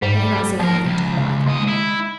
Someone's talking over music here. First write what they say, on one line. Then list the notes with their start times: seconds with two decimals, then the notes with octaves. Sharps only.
"Better not say anything to her either."
0.02 G#2 G3
0.60 D#2 F3 A#4
0.85 C#2
1.17 C#3
1.46 D#2 G#3 D#5
1.68 E4